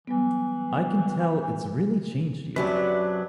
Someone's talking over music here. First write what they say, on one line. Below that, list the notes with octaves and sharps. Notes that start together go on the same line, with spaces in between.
I can tell it's really changed you.
E3 F#3 G3 B3
F#2 C3 F#3 D4 B4